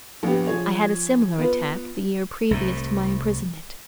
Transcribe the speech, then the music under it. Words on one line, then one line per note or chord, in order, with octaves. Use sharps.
I had a similar attack the year previous to my imprisonment.
A#1 B3 G4
F3 G#4 C#5
B3 F4 B4
C2 A2